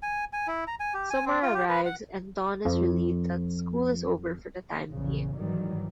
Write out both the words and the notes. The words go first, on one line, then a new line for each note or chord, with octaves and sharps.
Summer arrives and Dawn is relieved that school is over for the time-being.
G#5
G#5
E4
A#5
G#5
G4
G#5
C4
F4
G4
B4
F#5
F2 F3
A#1 E2 C#3
G#2 D#3 E3 F#3 G3